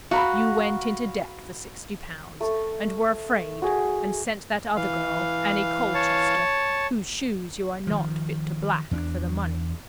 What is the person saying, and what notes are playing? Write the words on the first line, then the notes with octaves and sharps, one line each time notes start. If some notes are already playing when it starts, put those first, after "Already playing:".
You went into debt for sixty pounds, and were afraid, and sent that other girl, Annie Colchester, whose shoes you are not fit to black, for the money.
F#4 F5 A#5 B5
A3
F#4 G#4
E3 F5
C#5 A5
D#3 F3
E2 C#4 D4